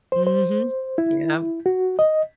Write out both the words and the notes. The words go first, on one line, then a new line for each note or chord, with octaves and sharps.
Mhm, yep.
C5
C5
E4
F#4
D#5